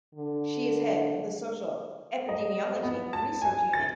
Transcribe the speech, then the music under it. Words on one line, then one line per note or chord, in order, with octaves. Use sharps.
She is head of the Social Epidemiology Research Unit.
D3
D#5
B3
A5
G#5
A6